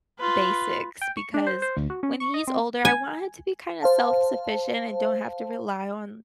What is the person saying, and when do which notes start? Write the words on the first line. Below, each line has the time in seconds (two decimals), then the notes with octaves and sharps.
the basics," because when he's older, I want him to be kinda self-sufficient and don't have to rely on
0.19 F4 B4
1.01 G5
1.17 C#6
1.34 D4
1.47 C5
1.62 C5
1.77 D2
1.90 F#4
2.03 C#4
2.20 C#6
2.34 D#5
2.48 C4
2.85 G#5
3.82 C5 F5 A5